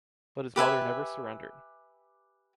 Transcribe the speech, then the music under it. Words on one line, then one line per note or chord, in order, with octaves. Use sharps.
But his mother never surrendered.
G4 B4 E5 G#5